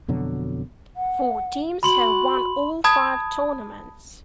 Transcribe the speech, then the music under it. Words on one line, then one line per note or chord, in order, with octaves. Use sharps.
Four teams have won all five tournaments.
F2 B2 D3 F#3
F#5
F#4 B5 C6 F#7
A5 B5 D#6 G#6